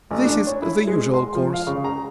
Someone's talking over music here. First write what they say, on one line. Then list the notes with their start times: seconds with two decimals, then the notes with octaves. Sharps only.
This is the usual course.
0.11 A1
0.25 D4
0.47 C#5
0.62 E4
0.87 G#3
1.14 C6
1.35 F3
1.54 F5
1.67 C#3
1.84 A#5